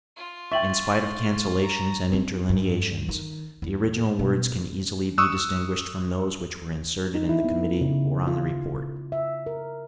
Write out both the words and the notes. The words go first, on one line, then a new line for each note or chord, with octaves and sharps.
In spite of cancellations and interlineations, the original words can easily be distinguished from those which were inserted in the committee or on the report.
F4
E5 G5 C#6 A6 F#7
A#5
C4
G2
D#3
E2
B2
C#6 D#6 E6 F#6
D#4
E4
B3
C#3
F4
E5
A#4